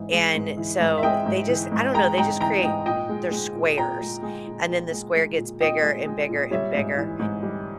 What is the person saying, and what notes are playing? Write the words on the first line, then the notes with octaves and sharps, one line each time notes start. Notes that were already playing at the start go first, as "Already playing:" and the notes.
And, so, they just I don't know, they just create they're squares, and then the square gets bigger and bigger and bigger.
Already playing: G#2 E3
G#3
G#2
E3
G#2
E5
G#3 D#5 G5
G#2
E3
G#2
G#3 G5 A#5
G#2 G5 A#5
E3 G5 A#5
G#2 D#5 G5
A#2 D#5 G5
G#3
G#3
A#2
A#2 G5 A#5
G#3
G#3
A#2
A#2
G#3
G#3
A#2
A#2 D#5 G5
G#3
G#3
A#2
G3 C#5 E5
G#2
E3
G#2
G3